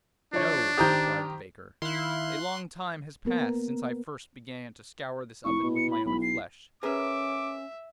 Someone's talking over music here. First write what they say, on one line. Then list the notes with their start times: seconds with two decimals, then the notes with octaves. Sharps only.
'No,' replied the baker; 'a long time has passed since I first began to scour this oven with my own flesh.
0.33 F3 D4 E4 C#5
0.78 D#3 G4 C5 A#5 D#6 G6
1.82 D#3 E4 F5 C6 F#6
3.25 A#3 B3 A#4
5.45 F1 E4 C#6
5.63 B2
5.76 C#7
5.91 B5
6.06 B1 B5
6.22 C7
6.83 C#4 G#4 A#4 B4 E5 D6